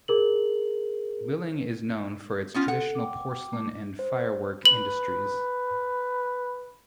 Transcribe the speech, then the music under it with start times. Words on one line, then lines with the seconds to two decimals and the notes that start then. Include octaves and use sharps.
Liling is known for its traditional porcelain and firework industries.
0.08 G#4 A#4 F#7
2.54 B3 C#4 F4
2.68 A4 F#5
2.95 G5 D6
3.53 A3 D6
3.99 C5
4.65 B4 F#7